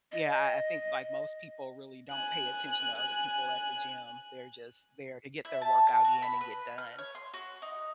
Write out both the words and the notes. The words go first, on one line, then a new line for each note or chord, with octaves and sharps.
yeah, I I think, like, most people really don't pay attention to other people at the gym they're just there to get their workout in and get done.
D#5
G#5 F#6
E4
A5
A#4
F#4
B5
B4
F6
C#5
C6
F#4
D#4